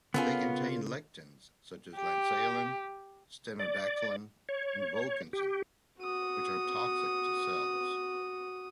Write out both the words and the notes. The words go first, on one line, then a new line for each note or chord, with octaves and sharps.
They contain lectins such as lanceolin, stenodactylin, and volkensin, which are toxic to cells.
C#3 B3 C#4 F4 A4 A#4 G#5
G4
D5
C#5
G4
F#4 D#6